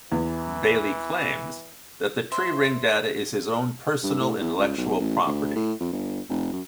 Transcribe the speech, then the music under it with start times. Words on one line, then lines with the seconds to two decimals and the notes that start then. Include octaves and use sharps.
Baillie claims that the tree-ring data is his own personal intellectual property.
0.12 E2 E3
2.32 C5 E5
4.04 G2
4.20 A2
4.41 E2
4.58 C#2
4.78 B1
5.00 A1
5.26 D2
5.56 A2
5.80 F2
5.93 G1
6.29 F1
6.53 F#2